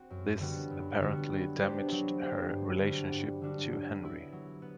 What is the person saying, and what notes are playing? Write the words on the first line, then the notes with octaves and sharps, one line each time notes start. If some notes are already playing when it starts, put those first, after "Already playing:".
This apparently damaged her relationship to Henry.
Already playing: C4 F#4
F#2
D3 G3 B3 F#4
F#2
D3 G3 B3 F#4
F#3
B3 D4 G4 C5
F#3
B3 D4 G4 C5
G2
D3 G3 D4 F#4
G2
D3 G3 D4 F#4
F#3
B3 E4
F#3
B3